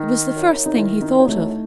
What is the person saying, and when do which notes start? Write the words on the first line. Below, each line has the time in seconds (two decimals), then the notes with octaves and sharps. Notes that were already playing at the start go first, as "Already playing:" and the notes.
It was the first thing he thought of.
Already playing: D#3 D#4
0.34 F#2
0.66 D#4
0.74 D#3 E4
1.02 D#4
1.15 F#2
1.28 A3